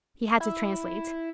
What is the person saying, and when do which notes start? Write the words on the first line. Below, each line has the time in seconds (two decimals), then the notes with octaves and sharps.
He had to translate.
0.40 E4